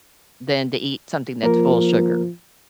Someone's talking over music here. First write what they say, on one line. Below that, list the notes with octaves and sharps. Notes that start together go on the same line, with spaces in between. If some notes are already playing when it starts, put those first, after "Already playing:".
than to eat something that's full of sugar.
F3 A#3 A#4